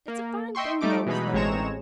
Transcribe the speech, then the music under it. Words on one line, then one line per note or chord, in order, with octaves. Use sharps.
'It's a fine thing, tho', is learning.
A#3
D#5 E5 G5 C6 C#6
G3 A3 D#4 D6 D7
B2 E3 G#3 D#4 B5
A1 G#3 C4 C#5 A#5 E7